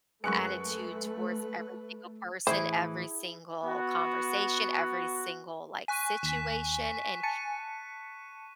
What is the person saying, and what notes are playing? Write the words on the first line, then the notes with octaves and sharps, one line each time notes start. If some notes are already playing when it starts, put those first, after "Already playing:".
attitude towards every single person, every single conversation, every single, like, situation, and
F#2 G#3 A3 B4 C#6 F#6 C#7
A2 E3 E4 G#4 C5
B3 F#4
G#5 C#6 F#6 B6
D#2 B6 E7
A5 C#7 D#7